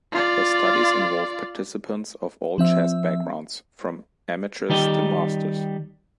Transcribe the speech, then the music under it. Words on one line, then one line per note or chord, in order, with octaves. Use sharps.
The studies involve participants of all chess backgrounds, from amateurs to masters.
F4 D5
F3 C4 E5 E6
D#3 G3 G4 D#5 G5